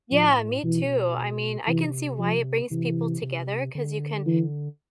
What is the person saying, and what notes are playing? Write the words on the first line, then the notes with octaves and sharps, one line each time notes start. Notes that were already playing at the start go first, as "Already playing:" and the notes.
Yeah, me too, I mean, I can see why it brings people together, 'cause you can
A2 F3
B2 E3
C3 E3
F3
C3 E3
C3
D3
E3